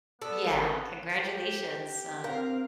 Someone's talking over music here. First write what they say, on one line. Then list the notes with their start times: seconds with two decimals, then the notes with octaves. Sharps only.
Yeah, congratulations on
0.22 B3 A4 D5
0.46 G#1 A#4
1.18 G4
2.24 C4 A#4 F5